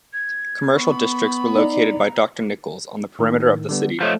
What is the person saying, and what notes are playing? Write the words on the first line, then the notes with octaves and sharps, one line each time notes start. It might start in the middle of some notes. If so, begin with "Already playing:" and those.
Commercial districts were located by Doctor Nichols on the perimeter of the city.
G#6
B3 B5 C#6
D#4 D5 A#5
A2 D#3
D3 G3 B3
F3 A3 C5 C#5 D#5